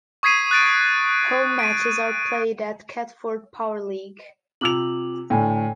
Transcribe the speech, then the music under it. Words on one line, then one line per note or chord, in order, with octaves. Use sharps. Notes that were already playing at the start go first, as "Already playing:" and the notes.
Home matches are played at Catford Powerleague.
C#6 D#6 G#6 B6 C7 D#7
F#6 A6 D7
D7 D#7
C3 F4 D6 E6 F7 F#7
A2 D3 A3 G5 G#5